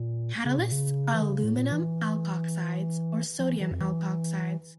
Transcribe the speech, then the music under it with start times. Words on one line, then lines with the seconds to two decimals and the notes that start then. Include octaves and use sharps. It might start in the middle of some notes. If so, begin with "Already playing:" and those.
Catalysts are aluminium alkoxides or sodium alkoxides.
Already playing: A#2
0.45 C#3
0.59 A#2
0.72 C#3
1.14 E3
1.21 D3
1.30 C#3
1.43 A2
1.57 A#2
1.72 E3
3.39 F3
3.50 E3
3.60 E3
3.71 F2
3.81 E3